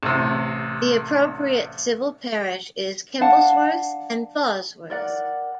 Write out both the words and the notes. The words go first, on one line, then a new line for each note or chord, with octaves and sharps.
The appropriate civil parish is Kimblesworth and Plawsworth.
A1 C3
D4 F5 F#5 A5
A#4 D5 F#5